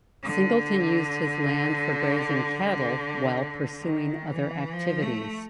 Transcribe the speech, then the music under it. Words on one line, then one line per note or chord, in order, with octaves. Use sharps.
Singleton used his land for grazing cattle while pursuing other activities.
D3
D#3
E3
F3
A3